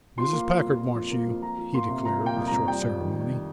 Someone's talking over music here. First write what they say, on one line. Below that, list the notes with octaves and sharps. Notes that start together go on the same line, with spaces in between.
"Mrs. Packard wants you," he declared with short ceremony.
F3 C6
A#3
F3
F2
F3
F2
A#3
F2
F3 A#5
F3
A#3 C6
C3
F3 A#5
A#3
G5
F2
F2 A#5
G3 G5
F2
D#3
G3